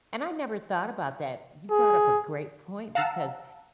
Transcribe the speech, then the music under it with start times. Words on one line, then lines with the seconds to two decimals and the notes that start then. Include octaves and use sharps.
And I never thought about that. You brought up a great point because
1.71 G#4
2.95 F5 F#5 A5 A#5 E6